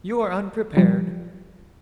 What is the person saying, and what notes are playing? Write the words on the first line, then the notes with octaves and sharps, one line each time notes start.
You are unprepared.
F3 G3